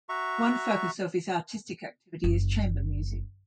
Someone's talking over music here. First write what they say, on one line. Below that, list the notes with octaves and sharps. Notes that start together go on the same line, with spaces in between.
One focus of his artistic activity is chamber music.
F#4 E5 A#5 C#6
F#1